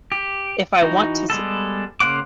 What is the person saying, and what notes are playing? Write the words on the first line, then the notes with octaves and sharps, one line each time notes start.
if I want to see."
G4
E3 D#4 F#4
G3 G#3 B3 A4
C#3 A#3 C5 F#5 D6